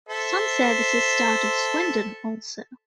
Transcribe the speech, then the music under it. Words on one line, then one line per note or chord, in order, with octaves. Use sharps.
Some services start at Swindon also.
A4 C5 E5